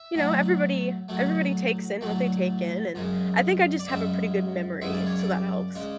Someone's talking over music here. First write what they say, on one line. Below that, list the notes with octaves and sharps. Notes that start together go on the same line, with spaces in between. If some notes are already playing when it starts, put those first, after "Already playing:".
you know, everybody everybody takes in what they take in, and I think I just have a pretty good memory, so that helps.
Already playing: E5
A2 F#3 A3
A2 F#3 A3
A2 F#3 A3
F#2 C#3 G#3
D5
F#2 C#3 G#3 E5
F#2 C#3 G#3 E5
D5
C#5
D5
C#3 G#3